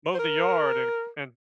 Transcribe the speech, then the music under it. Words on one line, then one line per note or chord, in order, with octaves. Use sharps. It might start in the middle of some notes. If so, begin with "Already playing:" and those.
Mow the yard and and,
C5
A#4